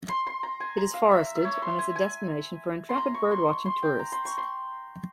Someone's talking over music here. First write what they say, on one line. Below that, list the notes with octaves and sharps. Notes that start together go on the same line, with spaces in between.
It is forested, and is a destination for intrepid bird-watching tourists.
C6
C6
A#5
G#5
A#5
F5
E5
E5
C#5
C6
G#5
G#5
C6
A#5
C#6
C6
C#6
C6
G5
A#5
C6
C#6
C6